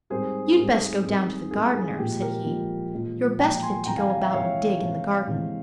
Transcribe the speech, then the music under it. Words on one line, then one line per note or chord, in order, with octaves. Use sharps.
"You'd best go down to the gardener," said he; "you're best fit to go about and dig in the garden."
G#2 G3 C4 G4 G#4 A#4 C5
G#2 G3 C4 G4 A#4
G#2 G3 C4 G4 A#4
G#2 G3 C4 G4 G#4 A#4
G#4
A#2 F3 G#3 G4
G4 A#4
A#2 F3 G#3
A#2 F3 G#3
A#2 F3 G#3 G5 A#5
G#5 C6
C3 E3 G#3 G5 A#5
F5 G#5
F5 G#5
E5 G5
C3 E3 G#3 C#5 F5
C3 E3 G#3
C3 E3 G#3